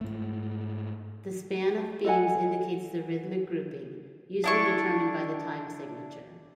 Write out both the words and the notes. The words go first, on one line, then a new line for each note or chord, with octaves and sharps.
The span of beams indicates the rhythmic grouping, usually determined by the time signature.
G#2 A3
A4 D#5 F#5 G#5
D4 E4 C#6